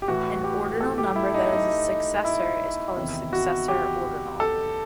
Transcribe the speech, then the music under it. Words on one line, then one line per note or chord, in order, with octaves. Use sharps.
An ordinal number that is a successor is called a successor ordinal.
G4
A2 E3 F#4
G4
A4
G4
E4
D#4
D#4
E4
E2 C3 D#3 E4
F#4
G4
A4